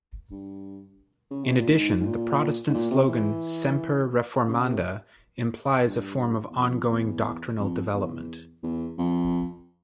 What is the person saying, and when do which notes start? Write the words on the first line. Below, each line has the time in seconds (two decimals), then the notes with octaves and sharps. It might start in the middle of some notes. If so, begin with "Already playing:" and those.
In addition, the Protestant slogan Semper reformanda implies a form of ongoing doctrinal development.
0.31 G2
1.31 C#3
1.44 C3
1.57 A#2
1.70 G#2
2.00 G#2
2.06 A#2
2.68 G#2
2.74 A#2
2.91 C3
3.09 E3
4.48 C#3
4.65 C3
5.86 G2
6.50 E2
6.56 F2
6.90 E2
7.59 F2
7.94 E2
8.63 E2
8.98 F2